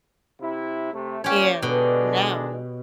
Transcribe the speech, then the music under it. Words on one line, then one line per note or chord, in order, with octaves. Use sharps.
and now,
C3 E4
C3 A3
A#2 C#4 G4 C#5
B2 D3 G#3 D4